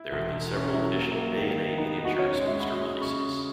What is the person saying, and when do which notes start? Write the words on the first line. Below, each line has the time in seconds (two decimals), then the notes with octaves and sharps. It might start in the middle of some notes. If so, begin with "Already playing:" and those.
There have been several additional "A and A Miniatures" booster releases.
Already playing: E4
0.12 E1
0.33 E1
0.53 C#4
0.74 F#3 E4
0.95 A#3
1.16 A#3
1.36 D#3
1.57 D#3
1.77 B3 D#4
1.98 D#4
2.05 F#4
2.19 C#4 C#5
2.33 C#5
2.40 G#3
2.46 E5
2.60 F#4 B5
2.81 G#3 D#6
3.01 C#3 C#6